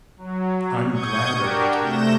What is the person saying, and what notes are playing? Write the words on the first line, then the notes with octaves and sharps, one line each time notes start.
I'm glad of it.
F#3
C#6 D#6 G6 G#6
D4 F#4 G4 A#4
C3 A3 G6 A#6 E7